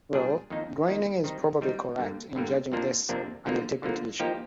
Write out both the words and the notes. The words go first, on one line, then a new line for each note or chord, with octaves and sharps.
Well, Groening is probably correct in judging this an integrity issue.
A#2 G3 D4 G#4
F2 D#3 A#3 D#4
F2 D#3 A#3 D#4
D#3 G3 C4 D#4
D#3 G3 C4 D#4
G2 D3 G3 A#3
G2 D3 G3 A#3
F2 C3 F3 A#3 D4
F2 C3 F3 A#3 D4
D3 F3 A#3
D3 F3 A#3
F3 A#3 D#4 G4